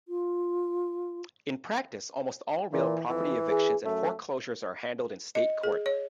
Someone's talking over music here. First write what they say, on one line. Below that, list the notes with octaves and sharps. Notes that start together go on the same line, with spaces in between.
In practice, almost all real property evictions and foreclosures are handled in state court.
F4
A#2 E3
F2 E3
G#4
F#2 A3
D#5
G#4
C#5